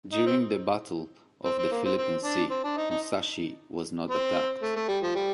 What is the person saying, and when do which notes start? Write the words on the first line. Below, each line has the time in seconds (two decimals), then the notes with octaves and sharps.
During the Battle of the Philippine Sea, "Musashi" was not attacked.
0.13 D#4
0.27 C4
1.45 C4
1.58 C4
1.72 A#3
1.85 C4
1.98 C4
2.24 D4
2.51 C4
2.64 D4
2.77 D#4
2.90 D#4
4.10 C4
4.63 A3
4.76 A3
4.89 G3
5.03 F3
5.16 G3